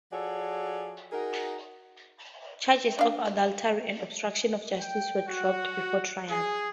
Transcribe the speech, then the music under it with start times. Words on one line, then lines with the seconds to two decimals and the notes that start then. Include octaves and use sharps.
Charges of adultery and obstruction of justice were dropped before trial.
0.12 F3 F#4 G#4 A4 C#5 D5
1.12 D#4 F#4 G#4 A#4
2.99 D4 F5
4.79 G5
5.27 F#4
6.30 G#4